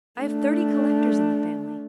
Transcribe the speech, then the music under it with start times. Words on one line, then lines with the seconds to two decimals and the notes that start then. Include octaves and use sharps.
I have thirty collectors in the family.
0.21 A3 D4